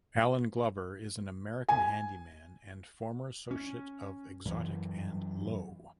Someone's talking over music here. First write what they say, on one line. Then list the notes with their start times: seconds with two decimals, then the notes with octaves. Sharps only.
Allen Glover is an American handyman and former associate of Exotic and Lowe.
1.69 G#5
3.51 C#4
4.45 F#2 E3